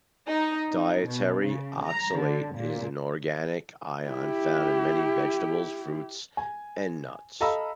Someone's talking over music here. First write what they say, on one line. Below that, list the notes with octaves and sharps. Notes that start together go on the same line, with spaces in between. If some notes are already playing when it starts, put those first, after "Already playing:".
Dietary oxalate is an organic ion found in many vegetables, fruits, and nuts.
D#4
D#4
B2
C#3
A#5
D3
A#2
E4 G4
G#5
A4 D#5 F5 A#5 B5 E6